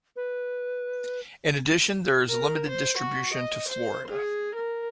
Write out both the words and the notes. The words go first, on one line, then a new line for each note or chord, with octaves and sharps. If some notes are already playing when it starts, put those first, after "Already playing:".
In addition, there is limited distribution to Florida.
B4
A#4
C5
F#4
D#5
C5
G#4
A#4